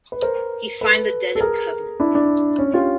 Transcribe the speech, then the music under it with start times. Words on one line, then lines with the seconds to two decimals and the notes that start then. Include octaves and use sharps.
He signed the Dedham Covenant.
0.12 B4
0.22 A#4 C5
0.81 A4 B4
1.35 A4
1.40 G#4 A#4
2.00 D4 E4
2.15 D4
2.59 C#4
2.73 F4 G4